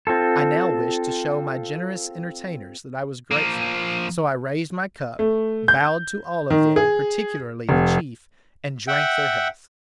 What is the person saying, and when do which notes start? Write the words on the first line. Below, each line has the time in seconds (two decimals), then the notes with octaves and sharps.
I now wished to show my generous entertainers that I was grateful; so I raised my cup, bowed to all of them, particularly the chief, and drank their health.
0.07 C4 F4 A4
3.31 F3 A#3
5.19 A3
5.68 G6
6.50 D#3
6.76 G#4
7.69 F1
8.88 E5 F#5 G5